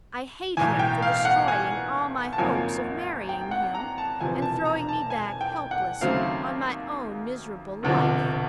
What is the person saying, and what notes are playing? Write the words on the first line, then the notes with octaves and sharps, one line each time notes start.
I hate him for destroying all my hopes of marrying him, and throwing me back helpless on my own miserable life.
B1 A2 E3 G#5
G5
F5
F5
F#5
G#5
A5
G#1 F#2 C#3 F3 A#3 G#5
G5
F#5
A#5
A5
E1 E2 C3 F3 G#5
A5
A#5
A5
G#5
G5
F#5
D#2 C#3 F#3 A3 C4 F5
E1 D2 C3 F3